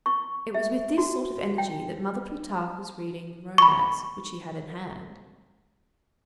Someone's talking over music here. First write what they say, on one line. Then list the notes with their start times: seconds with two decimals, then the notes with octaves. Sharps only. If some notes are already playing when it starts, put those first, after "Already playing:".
It was with this sort of energy that Mother Plutarque was reading the romance which she had in hand.
0.06 C#6
0.55 E5
0.98 F#4
1.58 G5
3.58 B5 C#6